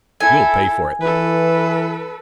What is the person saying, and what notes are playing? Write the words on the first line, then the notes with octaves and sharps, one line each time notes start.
"You'll pay for it!"
E4 A4 G#5
E3 A4 B4